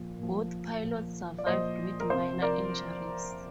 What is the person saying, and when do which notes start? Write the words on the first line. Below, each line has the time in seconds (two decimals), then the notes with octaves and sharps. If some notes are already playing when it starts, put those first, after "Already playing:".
Both pilots survived with minor injuries.
Already playing: A#2 F3
0.19 A#2 F3
0.83 A#2 F3
1.38 D5
1.46 A#2 F3 C5 D#5
2.00 A#4
2.10 C3 F3 C5
2.42 A#4 D5